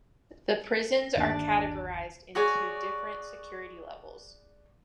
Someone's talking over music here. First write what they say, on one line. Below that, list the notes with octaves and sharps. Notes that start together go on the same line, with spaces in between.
The prisons are categorized into different security levels.
G1 D#2 D4 A6
F#4 G#4 C#5 D5